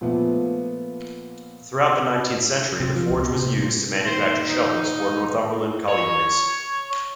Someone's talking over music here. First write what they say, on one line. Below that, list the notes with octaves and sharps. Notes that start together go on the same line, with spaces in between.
Throughout the nineteenth century the forge was used to manufacture shovels for Northumberland collieries.
A#2 F3 A3 B3
C3
F3
C#2
B2
C3
A#2
A#2 D#3 C5
D#4
C#5